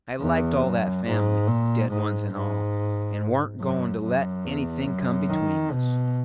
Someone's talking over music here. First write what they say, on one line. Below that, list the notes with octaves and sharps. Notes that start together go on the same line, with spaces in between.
I liked all that family, dead ones and all, and warn't going to let anything come between us.
E2
F#2
G#2
A#2
G#2
G#2
F#2
F#2
E2
F#2
D#3
B2